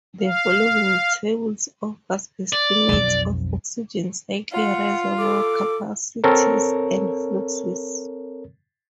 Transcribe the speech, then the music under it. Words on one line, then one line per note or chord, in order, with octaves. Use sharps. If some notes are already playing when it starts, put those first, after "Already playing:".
The following tables offer estimates of oxygen cycle reservoir capacities and fluxes.
F5
D5
B1 F2
F4 F#5
A4 D6
C4 A4 A#4 C#5